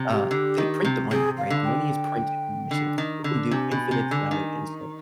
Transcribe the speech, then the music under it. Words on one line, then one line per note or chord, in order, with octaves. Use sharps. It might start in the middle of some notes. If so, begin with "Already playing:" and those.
uh, they print the money, right? The money is printed from machines, so they can do infinites amount of it, and so
Already playing: C3
G4
D3
D#3
C3
C3 G#4
F5
D3
G5
D3
D#3
D3
C3 G#5
B2
C3
D3
D#3